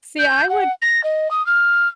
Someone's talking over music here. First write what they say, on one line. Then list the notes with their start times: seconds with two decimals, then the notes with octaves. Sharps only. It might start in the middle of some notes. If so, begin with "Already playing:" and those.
See, I would
0.19 G6
0.49 F#5
0.82 A#6
1.03 D#5
1.31 D#6
1.46 F6